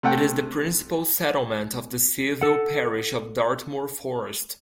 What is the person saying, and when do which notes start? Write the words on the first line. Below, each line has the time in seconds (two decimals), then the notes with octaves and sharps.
It is the principal settlement of the civil parish of Dartmoor Forest.
0.03 C3 A3 F#5 G5
2.41 A4 F#5